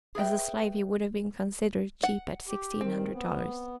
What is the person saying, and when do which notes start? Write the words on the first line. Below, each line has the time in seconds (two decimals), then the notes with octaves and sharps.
As a slave, he would have been considered cheap at sixteen hundred dollars.
0.15 G#4 B4 E5 G5
2.03 F#5
2.48 G4
2.81 D#3 C4
3.13 B3